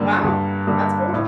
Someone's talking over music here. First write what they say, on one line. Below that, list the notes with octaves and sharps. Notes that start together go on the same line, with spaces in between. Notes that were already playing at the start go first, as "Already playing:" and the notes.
Wow, that's cool.
Already playing: G2 D3 G3 A#3
G2
D3 G3 A#3
A2